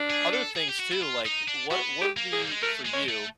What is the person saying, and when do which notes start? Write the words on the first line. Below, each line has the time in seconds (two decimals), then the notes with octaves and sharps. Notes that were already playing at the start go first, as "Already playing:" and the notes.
other things, too, like, what what'd be, for you
Already playing: D4
0.10 G#4
0.34 A4
0.56 G#4
0.69 G4
0.79 F#4
0.92 E4
1.02 F4
1.25 D#4
1.48 D4
1.71 B3 F#4
2.01 G4
2.17 A#3
2.32 G#4
2.38 G3
2.50 G#3
2.63 A3 A#4
2.85 G#3
2.93 C#5
3.08 A3